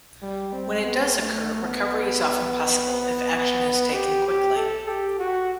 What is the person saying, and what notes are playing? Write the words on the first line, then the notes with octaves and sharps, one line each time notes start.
When it does occur, recovery is often possible if action is taken quickly.
G3
C4
B3
A3
B3
G4
G4
A4
G4
F#4